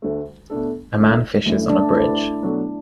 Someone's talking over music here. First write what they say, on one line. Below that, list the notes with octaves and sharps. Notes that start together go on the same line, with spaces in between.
A man fishes on a bridge.
D2 D3 A3
B2 A3 D4 A4
D3 A3 E4
F#2 E3 A3 D4
D4
D2 D3 A3 D4 E4 B4
B2 F#3 D4 A4